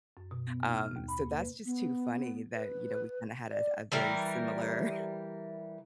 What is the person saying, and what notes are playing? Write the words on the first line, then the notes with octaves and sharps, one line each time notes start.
Um, so that's just too funny that, you know, we kinda had a a very similar
F#2
B2
B3
D#4
F6
D#2
B5
A#3
B4
B3
B4
D5
E3 G3 A#4